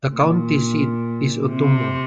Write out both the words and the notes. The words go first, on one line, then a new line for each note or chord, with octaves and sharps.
The county seat is Ottumwa.
A#2
C3